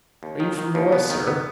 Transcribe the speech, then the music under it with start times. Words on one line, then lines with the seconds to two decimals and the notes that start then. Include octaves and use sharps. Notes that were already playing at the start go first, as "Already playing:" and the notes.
Are you from the west, sir?
0.23 D#2
0.40 D#3
0.58 D#3
0.75 D#2
0.92 B3
1.10 D#3
1.27 B3